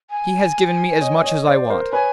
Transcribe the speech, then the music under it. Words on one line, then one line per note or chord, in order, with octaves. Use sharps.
He has given me as much as I want.
G#5
C#5 D#5
C#5 D#5
C5 D5
A#4 C5
B4 C#5 G#5